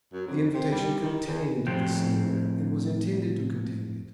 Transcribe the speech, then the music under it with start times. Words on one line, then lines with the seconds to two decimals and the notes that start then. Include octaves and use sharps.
The invitation contained the sneer, and was intended to contain it.
0.13 F#2
0.27 F2
0.54 C3
0.72 G3
1.03 D#3
1.27 E2
1.67 A2 F3 C4 G4 C5 G5